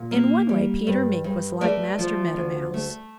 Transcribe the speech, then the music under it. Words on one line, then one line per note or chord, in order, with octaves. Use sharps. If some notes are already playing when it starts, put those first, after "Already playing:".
IN one way Peter Mink was like Master Meadow Mouse.
Already playing: A#2
A#3
G3
G2
G2
A3 A#4 D5
F3
D2
A3